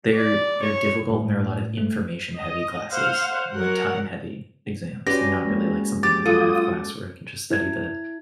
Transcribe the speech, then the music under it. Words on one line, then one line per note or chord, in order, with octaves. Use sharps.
they're they're difficult, and there are a lot of information-heavy classes and, like, time-heavy exams, they're not really like something, like a math class where I can just study the
D5
C#5
A2
A3
D#5
C5 F5 F#5
F#3 A#4 F#5
C#4 F#4 G4 B4 D5 A#6
G#3 A#3
G4 D6 A6
F#3 F4 A4 D#6
E4 G#6